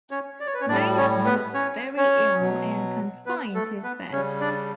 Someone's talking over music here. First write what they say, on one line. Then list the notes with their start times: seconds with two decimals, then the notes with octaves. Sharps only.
Mason was very ill and confined to his bed.
0.11 C#4 C#5
0.40 D5
0.47 C#5
0.54 B4
0.61 C#4 C#5
0.68 A2 G3 D4 D5
0.97 C#4 C#5
1.26 B3 B4
1.54 C#4 C#5
1.97 C#4 C#5
2.40 B2 F#3
3.26 B3 B4
3.55 A3 A4
3.84 B3 B4
4.12 C#3 G3 C#4 C#5
4.40 D4 D5